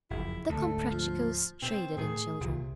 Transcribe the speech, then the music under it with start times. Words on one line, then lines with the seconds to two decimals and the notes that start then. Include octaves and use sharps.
The Comprachicos traded in children.
0.10 F#1 F2 E4
0.49 D2 G#2 A3
0.91 F3
1.62 B2 C4
1.97 A2 D#3 G#4
2.41 C2 A#2